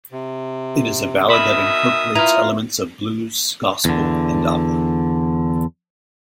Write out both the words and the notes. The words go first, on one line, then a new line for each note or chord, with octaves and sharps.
It is a ballad that incorporates elements of blues, gospel and opera.
C3
B2 D#3 E5 B5 D#6
E4 F4 B4 A#5
E2 D3